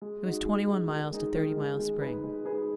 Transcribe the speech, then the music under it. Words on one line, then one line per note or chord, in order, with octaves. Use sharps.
It was twenty-one miles to Thirty Mile Spring.
G#3
D#4 F#4
G#3
D#4
F#4
D#3
G#3 D#4 G#4
D#3
G#3 D#4 G#4
G#3
D#4 G#4 B4
G#3
D#4 G#4 B4